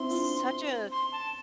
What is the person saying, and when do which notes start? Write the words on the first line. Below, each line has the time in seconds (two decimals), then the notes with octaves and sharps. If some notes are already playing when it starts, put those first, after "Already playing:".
such a
Already playing: C4 E4 C6
0.10 D4 F4
0.92 C6
1.12 A5